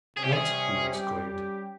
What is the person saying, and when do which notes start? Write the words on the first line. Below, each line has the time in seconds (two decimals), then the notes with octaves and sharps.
"What!" he exclaimed.
0.17 C3 G3 C#4 G#4
0.24 G4
0.32 G#4
0.92 G3 C#4 G4